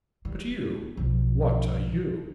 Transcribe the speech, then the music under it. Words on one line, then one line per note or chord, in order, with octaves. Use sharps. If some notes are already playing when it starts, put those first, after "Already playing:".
But you--what are you.'
G3
B1 F3